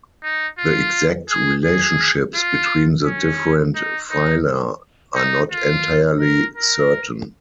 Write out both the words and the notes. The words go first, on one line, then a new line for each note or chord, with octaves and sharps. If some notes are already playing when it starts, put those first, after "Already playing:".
The exact relationships between the different phyla are not entirely certain.
D#4
F4
G#4
G#4
F4
C#4
D#4
D#4
D#4
F4
A#4
A#4